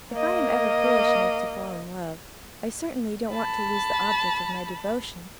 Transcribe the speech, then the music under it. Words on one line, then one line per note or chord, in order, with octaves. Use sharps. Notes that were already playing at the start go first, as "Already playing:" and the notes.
"If I am ever foolish enough to fall in love, I certainly don't want to lose the object of my devotion."
A#3 D#5
A5 B5